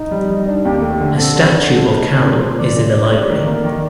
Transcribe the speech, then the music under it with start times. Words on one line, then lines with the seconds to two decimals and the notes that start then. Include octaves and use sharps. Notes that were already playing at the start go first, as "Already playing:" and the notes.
A statue of Carroll is in the library.
Already playing: D#4
0.11 G3
0.30 G3
0.47 D4
0.64 D#2 G4
0.82 A3
1.00 D3
1.18 C4 A4
1.35 D3
1.53 D3
1.71 A3
1.88 D#4
2.06 A2
2.13 C4
2.23 A#2 D4
2.37 A#4
2.41 A#2 C5
2.59 A#2 D5
2.76 A3 D5
2.94 D4
3.12 A3
3.30 D#3
3.47 A#3
3.64 D#3